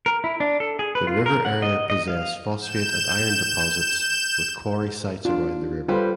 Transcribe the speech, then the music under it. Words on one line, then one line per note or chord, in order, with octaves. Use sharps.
The river area possess phosphate and iron deposits with quarry sites around the river.
A#4
E4
D4
A4
G#4
B4
F4
A#4
F#5
D#5
D#5
F5
G6 E7
D4 F4
G3 F4 A4 B4 C5